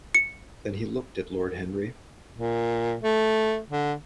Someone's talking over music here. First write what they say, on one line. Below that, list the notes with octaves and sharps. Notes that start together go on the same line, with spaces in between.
Then he looked at Lord Henry.
C#7
A#2
A3
D3